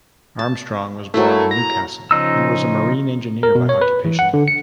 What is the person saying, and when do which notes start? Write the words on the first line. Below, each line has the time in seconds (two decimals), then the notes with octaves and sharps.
Armstrong was born in Newcastle and was a marine engineer by occupation.
0.39 A5
1.14 F#3 A3 A#3 E4
1.51 A#5
2.11 C#3 F3 D#4 E6
3.43 A#4
3.55 B2
3.69 C#5
3.81 B4
4.05 E3
4.19 F#5
4.33 D3
4.48 C#7